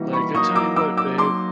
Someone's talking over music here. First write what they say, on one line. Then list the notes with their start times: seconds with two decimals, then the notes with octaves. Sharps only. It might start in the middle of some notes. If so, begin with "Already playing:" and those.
Like, "I tell you what, babe”
Already playing: E3 G3 A#3 D#4 F#4
0.13 B5 C#6
0.35 F#3 A#3 D#4 C#6 D#6
0.55 D6 E6
0.76 D6 E6
0.97 D6 E6
1.18 C6 D6